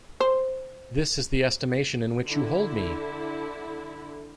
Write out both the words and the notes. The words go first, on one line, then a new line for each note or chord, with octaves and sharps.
This is the estimation in which you hold me!
C5
D3 E4